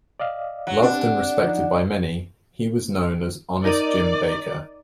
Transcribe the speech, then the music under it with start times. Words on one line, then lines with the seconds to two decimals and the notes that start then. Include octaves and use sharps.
Loved and respected by many, he was known as "Honest Jim Baker".
0.20 D5 D#5 F5
0.67 F#3 F#5
0.82 C4 D4 G4 F#5
1.43 F3 D#4
3.65 D#4 A#4 D5 D#7